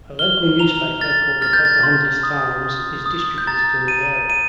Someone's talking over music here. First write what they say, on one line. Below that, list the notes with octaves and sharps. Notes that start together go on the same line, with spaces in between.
A local newspaper called "The Pocahontas Times" is distributed in the area.
F6 G7
A#5 F7
F6 A6
F6 A6
G6
A6
C6
D#6
D#6
D#6
G6
A#5 A6
A#5 D#7
A#5 D#7